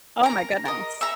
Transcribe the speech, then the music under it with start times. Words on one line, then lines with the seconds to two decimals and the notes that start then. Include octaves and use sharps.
Oh my goodness.
0.23 A#4 A#5
0.65 A#4 D#5
1.01 E5 A#5